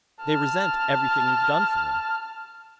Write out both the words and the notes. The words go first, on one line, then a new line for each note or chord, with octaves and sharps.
"They resent everything we've done for them."
A5 F6